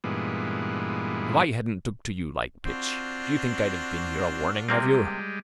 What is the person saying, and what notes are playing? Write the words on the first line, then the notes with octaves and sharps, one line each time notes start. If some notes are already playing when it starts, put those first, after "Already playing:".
If I hadn't took to you like pitch, do you think I'd have been here a-warning of you?
G2 A#2 E3 G#3 B3
C4 D4 F4 F#4
C3 G3 G#3 A#3 C4